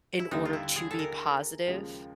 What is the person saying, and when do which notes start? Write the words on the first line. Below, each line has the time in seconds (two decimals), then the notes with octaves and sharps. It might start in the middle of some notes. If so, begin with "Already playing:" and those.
in order to be positive,
0.19 E4
0.31 D#2 D3 G3 D#4
0.45 F4
0.53 E4
0.76 G#4
0.91 A4
0.99 A#4
1.67 D#2 C#3 F3 G#3